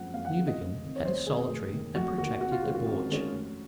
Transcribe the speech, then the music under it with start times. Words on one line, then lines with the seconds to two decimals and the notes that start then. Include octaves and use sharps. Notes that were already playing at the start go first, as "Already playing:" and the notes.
Newbegin had a solitary and protracted debauch.
Already playing: F#1 F#2 F3 G#3 F#5
0.14 F#1 F5
0.25 F#5
0.37 F#2 F3 G#3
0.48 D#5
0.60 F1
0.82 F2 D#3
0.96 C#5
1.04 F1 C5
1.27 F2 D#3 G#4
1.49 F1
1.72 D#2 D#3
1.95 F1 F#4
2.18 D#2 D#3 F#4
2.41 F2 F#4
2.52 F4
2.63 D#3 G#3 C#4 F#4
2.75 F#4
2.86 F2
3.09 D#3 G#3 C#4
3.32 F1